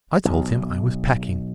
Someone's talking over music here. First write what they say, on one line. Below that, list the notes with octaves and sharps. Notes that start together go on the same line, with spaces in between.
I told him I was packing.
B1